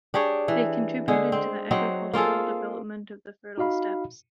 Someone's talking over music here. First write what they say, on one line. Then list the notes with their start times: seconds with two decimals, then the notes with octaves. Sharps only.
They contributed to the agricultural development of the fertile steppes.
0.14 D4 G4 G#4 C#5
0.48 E3
1.08 D3 G#3 G#4
1.32 C4
1.71 F#3 C4 D#4
2.14 A#3 F4 G#4 A4
3.58 D#4 F#4 D#5 F5 B5